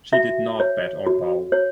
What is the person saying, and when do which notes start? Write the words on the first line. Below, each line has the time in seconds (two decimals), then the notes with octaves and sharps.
She did not bat or bowl.
0.13 F#4 E5
0.60 C#5
1.07 F#4
1.52 C#5